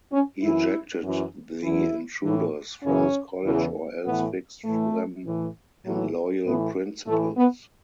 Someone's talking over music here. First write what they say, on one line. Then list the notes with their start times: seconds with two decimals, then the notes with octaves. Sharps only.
He ejected the intruders from his college or else fixed them in loyal principles.
0.12 C#4
0.42 F#2 E3 E4
1.02 F#2 E3
1.63 E2 E3 E4
2.23 A2 E3
2.83 F#2 C#3 E3 C#4
3.44 E2 C#3 E3
4.05 A2 E3 B3
4.65 A2 E3 A3
5.25 A2 E3
5.86 A2 E3 F#3
6.46 A2 E3 B3
7.07 A2 E3 A3
7.37 B3